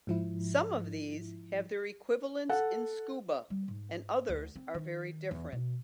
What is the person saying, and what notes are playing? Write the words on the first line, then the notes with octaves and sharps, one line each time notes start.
Some of these have their equivalents in scuba, and others are very different.
G#2 F3 E4
A4 F#5
G3
G#2
D2
C4
D#3
E2
B2